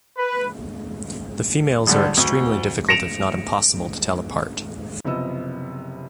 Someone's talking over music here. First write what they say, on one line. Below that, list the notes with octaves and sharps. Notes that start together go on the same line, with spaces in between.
The females are extremely difficult if not impossible to tell apart.
B4
A1 D3 G3
D2
A#6 C#7 D7 E7 F7
F#1 C3 F3 B3 D#5 E6